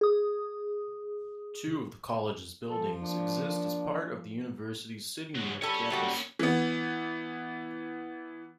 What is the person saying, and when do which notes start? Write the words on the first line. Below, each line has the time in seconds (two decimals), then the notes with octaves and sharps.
Two of the college's buildings exist as part of the university's City North Campus.
0.01 G#4 D#6
2.70 F3 A4
3.03 A#3 D4
5.35 F#3 G#3
5.62 G3 A4 C#5 G#5
5.90 F#3 G3 A3 F#4
6.03 A#3 C#4
6.39 E3 B3